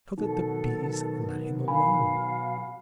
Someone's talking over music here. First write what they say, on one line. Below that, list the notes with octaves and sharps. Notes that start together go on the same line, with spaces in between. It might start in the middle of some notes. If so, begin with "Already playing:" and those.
So that the bees let him alone!
B2 D#3 F#3 D#4 A4
F5 G#5 B5